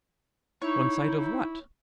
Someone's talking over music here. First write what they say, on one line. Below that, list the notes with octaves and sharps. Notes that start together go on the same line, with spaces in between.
'One side of WHAT?
D#4 E4 C#5